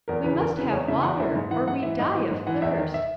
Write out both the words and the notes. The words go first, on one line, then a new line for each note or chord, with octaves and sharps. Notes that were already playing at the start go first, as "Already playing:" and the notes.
We must have water, or we die of thirst.
E2 A#4
C#3 E3 B4
E2 A#4
C#3 E3 B4
E2 C#5
C#3 E3 E5
E2 F#5
C#3 E3 E5
G#2
E3 F#5
G#2 F#5
E3 E5
G#2 D#5
E3
G#2
E3 F#5
E2 E5
D#3
E5